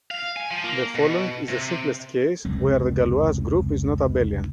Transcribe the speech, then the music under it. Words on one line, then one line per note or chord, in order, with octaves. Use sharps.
The following is the simplest case where the Galois group is not abelian.
F5
G#5
F3
A#3
B2
C3
F1 C#2 C4